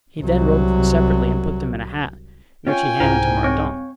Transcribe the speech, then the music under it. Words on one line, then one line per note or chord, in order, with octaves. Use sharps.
He then rolled them separately and put them in a hat, which he handed to Mordaunt.
C2 F#3
C#4 F4 C#5 G5 G#5
C2 G#2 E4 C5 A#5
C4 C#5